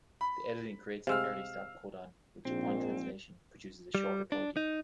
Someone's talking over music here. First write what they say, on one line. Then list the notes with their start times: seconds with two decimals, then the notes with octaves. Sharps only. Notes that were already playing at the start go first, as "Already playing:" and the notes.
The editing creates an early stop codon, which, upon translation, produces a shorter protein.
0.21 B5
1.07 C3 G#3 F5 E6 F6
2.45 A#1 G#2 C4
3.95 G3
4.32 D4
4.57 D#4